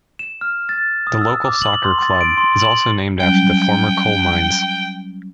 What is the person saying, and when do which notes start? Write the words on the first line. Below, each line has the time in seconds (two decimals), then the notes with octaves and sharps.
The local soccer club is also named after the former coal mines.
0.19 E7
0.41 F6
0.69 A6
1.07 D#6
1.21 E6
1.45 D6
1.62 F#7
1.85 C6
2.02 A6
2.21 D7
2.37 C6
2.60 F#7
3.20 F#3 G3 C#4 G5